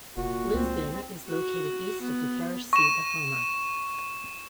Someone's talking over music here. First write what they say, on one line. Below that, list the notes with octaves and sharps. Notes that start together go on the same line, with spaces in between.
Lisbon is located east of the parish seat of Homer.
F1 A#2 F#4
C#2 C4
F#4
B3
C#6 E7